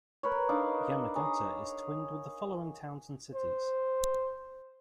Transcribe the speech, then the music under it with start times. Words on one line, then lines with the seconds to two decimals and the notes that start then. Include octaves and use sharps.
Yamagata is twinned with the following towns and cities.
0.23 A#4 B4 C#5
0.49 D4 D#4 D#5 F5
1.15 G#4 C#5 A#5
3.35 C5